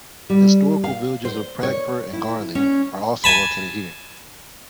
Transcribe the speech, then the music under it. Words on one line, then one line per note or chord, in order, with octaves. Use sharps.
Historical villages of Pragpur and Garli are also located here.
G3
F5
C5
C#5
E4
C#4
G#5 A5 B5